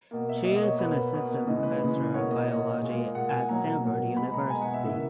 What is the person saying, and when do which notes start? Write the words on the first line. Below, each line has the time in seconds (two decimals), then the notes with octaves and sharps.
She is an Assistant Professor of Biology at Stanford University.
0.11 B2 A#3
0.29 E5
0.45 B2 A#3 D#5
0.56 D#5
0.63 C#5
0.79 B2 A#3 B4
1.13 B2 A#3
1.47 C#3 E3 G#3 D#5
1.63 B4
1.81 C#3 E3 G#3
2.14 B2 A#3 C#5
2.31 D#5
2.48 B2 A#3 D#5
2.81 A#2 G#3
3.15 A#2 G#3 F#5
3.33 G#5
3.49 B2 F#3 A#3 A#5
3.82 B2 F#3 A#3
4.16 B2 G#3 B5
4.34 A#5
4.50 B2 G#3 G#5
4.61 F#5
4.74 E5
4.84 C#3 E3 A#3 E5